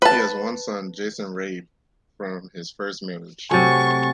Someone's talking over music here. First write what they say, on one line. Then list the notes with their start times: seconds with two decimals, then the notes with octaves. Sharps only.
He has one son, Jason Rabe, from his first marriage.
0.02 B4 A5
3.51 C3 F#3 A3 G#5 C#6 A6